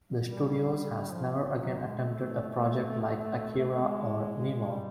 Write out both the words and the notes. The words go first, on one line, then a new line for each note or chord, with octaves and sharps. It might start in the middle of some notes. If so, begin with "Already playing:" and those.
The studios has never again attempted a project like "Akira" or "Nemo".
G3
F3
F#3
G#3
A3
G#3
G3